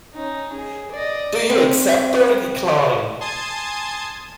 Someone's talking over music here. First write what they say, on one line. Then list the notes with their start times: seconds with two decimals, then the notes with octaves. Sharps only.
Do you accept or decline?
0.14 C#4 D#4
0.53 G#4
0.92 D5 D#5
1.50 C4
3.20 G#5 A5 C6 D#6 G#6